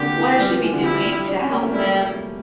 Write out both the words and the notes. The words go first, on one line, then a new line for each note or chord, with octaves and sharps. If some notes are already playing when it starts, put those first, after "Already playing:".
what I should be doing to help them
Already playing: D3 A#3 G4
E3
G3
F3
E3
D3
F3 E4
G3
D4
C#4
A#3
A3
G3 E4